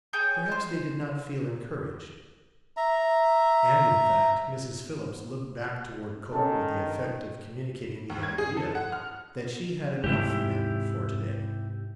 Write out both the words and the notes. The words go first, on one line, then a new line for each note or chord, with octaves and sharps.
Perhaps they did not feel "encouraged." And in fact Mrs. Phillips looked back toward Cope with the effect of communicating the idea that she had enough men for to-day.
G#4 C#5 G5 G6
C5
E5 A#5
D#3 C#4 A4
D#2
G#6
G#4
A4
F#5
F6
G#2 C3 E4 G4